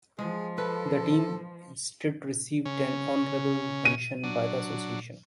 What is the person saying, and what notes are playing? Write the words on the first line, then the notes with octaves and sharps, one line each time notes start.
The team instead received an honorable mention by the association.
F3 G#3 G#4
A4 B4
C#3 C#4
D#7
F#3 D4